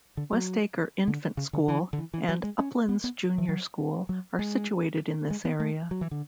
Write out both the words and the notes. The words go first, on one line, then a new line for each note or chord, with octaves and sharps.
Westacre Infant school and Uplands Junior school are situated in this area.
D3
F#3
D3
C#3
D3
E3
D3
E3
E3
F#3
G#3
C#4
B3
B3
E3
F#3
F#3
G#3
G#3
B3
A3
F#3
E3
D3